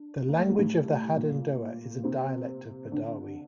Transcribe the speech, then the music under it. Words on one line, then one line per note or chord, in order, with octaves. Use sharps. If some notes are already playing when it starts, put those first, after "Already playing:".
The language of the Hadendoa is a dialect of Bedawi.
Already playing: D4
A#3
A3
G3
A2 A3
A#2 A#3
C3 C4
D3 D4